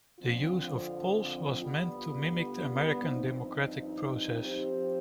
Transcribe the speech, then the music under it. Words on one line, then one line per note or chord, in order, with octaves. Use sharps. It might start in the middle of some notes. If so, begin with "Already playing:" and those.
The use of polls was meant to mimic the American democratic process.
F2 D3 F3 C4 F4
D3 G3 B3 F4
G2 F3 C4 D#4
F3 C4 G4